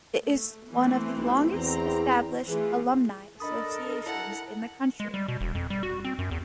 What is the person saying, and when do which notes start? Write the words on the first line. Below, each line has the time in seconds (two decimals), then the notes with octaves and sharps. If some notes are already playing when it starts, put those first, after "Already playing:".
It is one of the longest established alumni associations in the country.
0.24 A3
0.73 E3 A3 C4
1.17 B1
1.54 E2 C4 A#5
2.48 E3 A3 F4 G#4
3.40 D4 A4 A#4 D#5 B5 D#6
4.04 E4 F#5 A5 A#5
5.00 G#3
5.14 G3
5.28 B2
5.41 E1
5.55 F2
5.70 G3
5.83 F#4
6.04 C4
6.19 F#2
6.31 E2